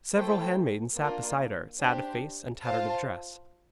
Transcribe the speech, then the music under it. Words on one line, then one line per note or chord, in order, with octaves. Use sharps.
Several handmaids sat beside her, sad of face and tattered of dress.
A3 E4 A4 C5 G5
A#3 D4 F4 A#4
D4 G4 C5
F4 C5 F5 A5